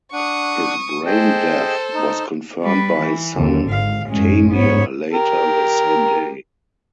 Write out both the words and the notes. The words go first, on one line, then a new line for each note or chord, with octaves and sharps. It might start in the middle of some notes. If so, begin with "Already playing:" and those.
His brain death was confirmed by his son Tamir later the same day.
D4 F#5 C#6 D#6
G#4 A4 C5 D#5 G5
D#4
G3 B4
E3
D#2 D3
G#1 F5
A1 F#2 G#3 C#4
G#2 B3 C#5
G4 A#4